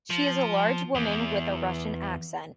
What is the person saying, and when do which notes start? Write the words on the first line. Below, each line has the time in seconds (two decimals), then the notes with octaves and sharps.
She is a large woman with a Russian accent.
0.10 F3
0.95 E2